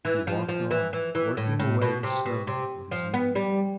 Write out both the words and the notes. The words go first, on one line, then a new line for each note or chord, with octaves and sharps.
He walked on, working away the snow with his knees.
E3
F3
F3
E3
E3
E3
A2
A2
B2
C3
B2
C3
F3
B3
G3